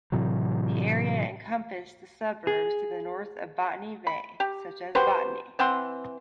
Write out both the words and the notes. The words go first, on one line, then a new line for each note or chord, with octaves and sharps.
The area encompassed the suburbs to the north of Botany Bay, such as Botany.
A2 C3 E3 F#3
G#4
B5
G4
F#4 G4 B4 C5
E3 C4 F#5 C6